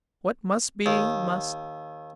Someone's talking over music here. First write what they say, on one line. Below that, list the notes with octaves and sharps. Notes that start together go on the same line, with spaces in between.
What must be, must....
D#2